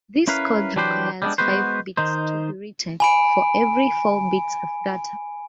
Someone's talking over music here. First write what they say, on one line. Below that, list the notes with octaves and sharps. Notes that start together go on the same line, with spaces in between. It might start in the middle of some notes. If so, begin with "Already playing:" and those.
This code requires five bits to be written for every four bits of data.
C#4 E4 A#4 B4 F5
E3 F#3 D4 G4 B4 C5
G3 G#3 B3 D4
G#3 B3 F#4 B4 C5
D#3 D#4 C5
G#5 B5 D7